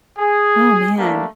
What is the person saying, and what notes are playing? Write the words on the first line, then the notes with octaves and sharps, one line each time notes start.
Oh, man.
G#4
G3 A3 A#3 D4